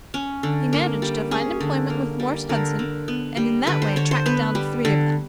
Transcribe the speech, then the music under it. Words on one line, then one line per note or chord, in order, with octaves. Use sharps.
He managed to find employment with Morse Hudson, and in that way tracked down three of them.
C#4
D3
A#3
G3
C#4 G#4
D3
A#3
G3
D3 A#4
D3
B3
G3
D3 B4
C5
D3 C#5
C5
B3 B4
G3
D3